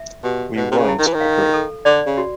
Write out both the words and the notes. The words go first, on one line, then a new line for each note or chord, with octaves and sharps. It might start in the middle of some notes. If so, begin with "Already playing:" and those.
We weren't a group.
Already playing: E5
B2 G4
B2 C5
C3
C#3
E4
D#3
E3
D#3
F5
A4
D3 D5
C#3
F#4